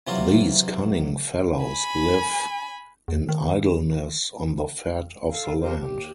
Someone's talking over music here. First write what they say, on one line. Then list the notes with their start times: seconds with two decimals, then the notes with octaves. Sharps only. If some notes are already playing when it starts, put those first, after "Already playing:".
These cunning fellows live in idleness on the fat of the land.
0.07 C3 E3 F#3 C4 F4
1.65 G#5 B5
3.08 E2
3.29 D#3
5.31 A4 F5
5.60 F2 C#3 G4 A#4 C5
5.78 D#2 G4